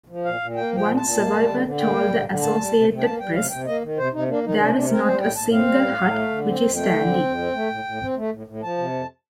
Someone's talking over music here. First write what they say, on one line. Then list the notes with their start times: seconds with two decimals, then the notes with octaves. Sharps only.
One survivor told the Associated Press: There's not a single hut which is standing.
0.09 F3
0.25 A#2 F5
0.40 A#2
0.56 A#3 G5
0.71 F3
0.76 G5
0.86 A#2
0.97 A#2 A5
1.18 A#3
1.33 G3
1.49 D3
1.64 D3
1.80 A#3 G5
1.95 G3
2.11 D3
2.26 D3
2.42 A#3 A5
2.57 G3
2.74 C3
2.89 C3
2.98 G5
3.04 A#3 A5
3.19 G3 G5
3.35 C3 F5
3.50 C3 G5
3.66 A#3 D#5
3.82 D#3
3.97 C3 C5
4.12 C3 D#4
4.28 A#3 D4
4.43 D#3 D#4
4.59 C3 D4
4.74 C3 D4
4.90 C4 A#4
5.05 G3 C5
5.21 A2 G5
5.36 A2 A5
5.52 C4 F5
5.68 G3
5.83 A2
5.99 A2
6.14 A3
6.30 D3
6.45 C4
6.61 F2
6.76 A3 G5
6.91 D3
7.07 C4
7.23 F2
7.38 C4
7.54 A3
7.70 A2
7.84 A2
8.01 C4
8.16 A3
8.32 A2
8.47 A2
8.62 F3 A5
8.78 C3
8.94 F2